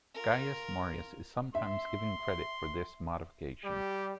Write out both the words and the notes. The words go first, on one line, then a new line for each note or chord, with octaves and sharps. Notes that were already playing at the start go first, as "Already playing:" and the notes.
Gaius Marius is sometimes given credit for this modification.
F4 A#4
E5 C6
G3 G4